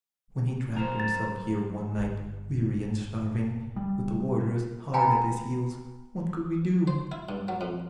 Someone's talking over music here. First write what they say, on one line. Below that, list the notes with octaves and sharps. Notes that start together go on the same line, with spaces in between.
When he dragged himself here one night, weary and starving, with the warders hard at his heels, what could we do?
F#2 A#4 C5
A6
G1
G3
B4 F5 G5 G#5 A#5 B5
C5
E4
G2
F#3
F2